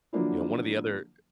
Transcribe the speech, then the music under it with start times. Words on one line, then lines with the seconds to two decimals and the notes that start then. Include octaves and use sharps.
you know, one of the other
0.13 D3 F3 F#3 A#3 D4 E4